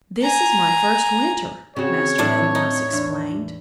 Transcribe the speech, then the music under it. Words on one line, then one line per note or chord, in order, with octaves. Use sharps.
"This is my first winter," Master Meadow Mouse explained.
G#5 A#5
C#3 C4 F#4 C#5
A2 F#3 D4 E4
D#4
E2 D4